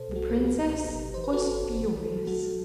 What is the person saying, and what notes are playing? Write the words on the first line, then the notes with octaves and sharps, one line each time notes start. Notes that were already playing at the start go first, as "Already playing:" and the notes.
The princess was furious.
Already playing: B2 A4 C5
C2
F#4 A4
C2
C5
F#3 G4 B4
C2
B2
G1
G1
E3 C5
B4
G1 F#4 A4
G1
G1
B2
B1
F#3
F#3 F#4 A4
F#3